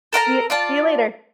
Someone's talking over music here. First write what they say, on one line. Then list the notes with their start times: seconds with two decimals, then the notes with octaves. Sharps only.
See y see you later.
0.13 A4 A#4 F5 A#5
0.50 F4 D5 A5